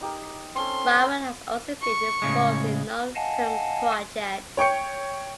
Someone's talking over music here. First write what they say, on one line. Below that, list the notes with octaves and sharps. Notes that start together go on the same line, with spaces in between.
Rahman has also been involved in non-film projects.
D#4 G4 A#4
C4 C#4 A4 C6
C#6
A2 C#3 G#3
D#5 F5 F#5 G#5 A5
C#5 G5 C#6 C#7